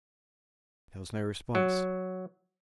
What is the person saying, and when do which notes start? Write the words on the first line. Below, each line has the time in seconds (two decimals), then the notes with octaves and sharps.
There was no response.
1.55 F#3